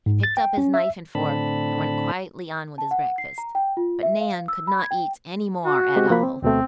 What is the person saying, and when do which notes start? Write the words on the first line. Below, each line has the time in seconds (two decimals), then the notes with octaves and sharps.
He picked up his knife and fork and went quietly on with his breakfast. But Nan could not eat any more at all.
0.06 G#2
0.23 A6
0.37 G5
0.58 C#4
0.74 E5
1.15 A2 D3 C4 D4 A5 B5
2.78 A5
2.91 F#5
3.18 C7
3.38 A#5
3.55 G5
3.77 F4
4.03 E5
4.21 F5
4.48 E6
4.67 B5
4.79 G#6
4.91 G5
5.65 F#4
5.96 G#3 C4 G4
6.10 F3 A#3 B5
6.23 C4
6.42 D2 B2 A3 C4